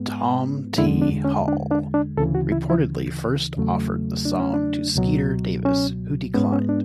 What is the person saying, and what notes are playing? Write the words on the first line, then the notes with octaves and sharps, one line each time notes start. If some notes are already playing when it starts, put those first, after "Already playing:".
Tom T. Hall reportedly first offered the song to Skeeter Davis, who declined.
Already playing: G#2 G#3 B3
E2 D3 G#3 E4
D4
C#4
D4
D4
D4
D2 C#3 E3 A4
F#4
E4
E4
E2 C#3 F#3 A3
D4
C#4
D4
C#2 B2 F#3
C#4
G#2 G#3 B3 C#4
C#4
D4